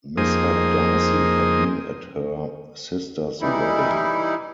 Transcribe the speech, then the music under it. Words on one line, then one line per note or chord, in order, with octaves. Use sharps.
Mr. Darcy had been at her sister's wedding.
F2 A#3 D#4 G#4 C5 D#6
E3 G3 D#4 E4